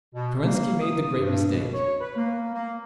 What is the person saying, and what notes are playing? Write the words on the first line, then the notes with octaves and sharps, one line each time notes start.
Kerensky made the great mistake.
B2
A#3
D#6
G2
B2
C#5
B4
A#3
A#3